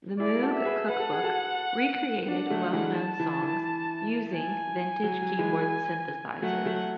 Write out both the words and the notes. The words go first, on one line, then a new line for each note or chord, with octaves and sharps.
The Moog Cookbook recreated well-known songs using vintage keyboard synthesizers.
E4 G#4 D5
F#4 A4
E5
G#4 B4
B4 F#5
A4
G#4
F#4 A4
D4 F#4 F#5
F#3 A3
E3 G#3
A5
E3
E3
G#5
F#3
F#3
E3 G#3
F#3 A3 F#5
F#3 A3